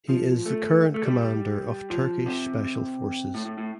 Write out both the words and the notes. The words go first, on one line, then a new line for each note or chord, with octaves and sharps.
He is the current commander of Turkish Special Forces.
F3
A3
A3
G3
F3
C3
A2
A2
A2